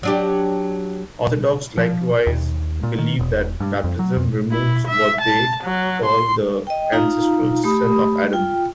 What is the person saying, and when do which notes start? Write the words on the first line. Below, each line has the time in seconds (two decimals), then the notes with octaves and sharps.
Orthodox likewise believe that baptism removes what they call the ancestral sin of Adam.
0.03 F#3 D4 G4
1.77 F3
2.27 D#2
2.83 A#2
2.98 D#3
3.19 E1
3.60 G2
3.84 F2
3.99 F#3
4.17 F2
4.51 E4
4.87 E5
5.21 A5
5.63 F#3
6.05 C6
6.67 D#5 G5
6.92 D#4 F4 F5 A#5
7.64 A3 G4 B5 D#6
8.33 F4 G5